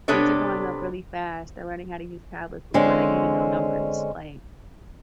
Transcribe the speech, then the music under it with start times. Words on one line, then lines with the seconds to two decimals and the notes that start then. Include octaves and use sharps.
kids are growing up really fast, they're learning how to use tablets before they even know numbers, like,
0.08 C3 B3 D4 A4 C#5
2.74 D3 G#3 C4 C#4